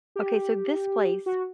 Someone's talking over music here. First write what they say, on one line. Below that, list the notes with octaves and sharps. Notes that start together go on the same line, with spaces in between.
Okay, so this place
G4
F#4